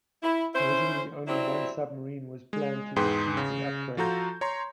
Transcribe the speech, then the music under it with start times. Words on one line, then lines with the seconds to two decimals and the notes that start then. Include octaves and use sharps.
Originally only one submarine was planned to receive the upgrade.
0.22 E4
0.54 C#4 E4 C5
1.27 F#3 G3 C4 E4
2.53 G#3
2.96 E2 G#2 G#4 B4 G5 C6
3.37 C#3
3.97 F3 F4 F#4 A4 A#5 G6
4.41 C#5 A#5 C6